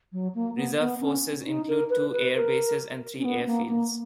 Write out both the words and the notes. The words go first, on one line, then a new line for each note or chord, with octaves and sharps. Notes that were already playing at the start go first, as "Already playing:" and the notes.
Reserve forces include two air bases and three airfields.
F#3
A#3
B3
B3
C#4
D#4
A#4
B4
B4
A#4
C#4
B3
A#3
A#3